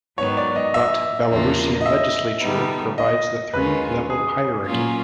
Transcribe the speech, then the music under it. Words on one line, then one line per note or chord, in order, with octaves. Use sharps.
But Belarusian legislature provides the three-level hierarchy.
G#2 D#3 F#3 B3 C#5
D5
D#5
E5
E2 C#3 F3 A#3 D4
D#5
E5
D3 G3 B3 D#4
D#5
D#2 D#3 G#3 C#4 F4 B4
G#4
A#2 F#3 A#3 C#4 F4